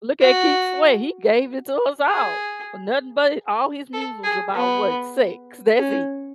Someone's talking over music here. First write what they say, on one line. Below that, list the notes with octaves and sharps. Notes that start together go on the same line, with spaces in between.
Look at Keith's way, he gave it to us all for nothing but hi all his muses about what, sex. That's it.
F#4
G#4
A4
G#4
B3
C#4